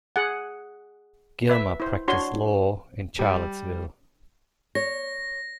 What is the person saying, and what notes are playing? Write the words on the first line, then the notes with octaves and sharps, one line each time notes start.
Gilmer practiced law in Charlottesville.
G#4 F#5
B4 E5
E4 C5
D4 F#4 C#5 C6
G3
C#5 A#6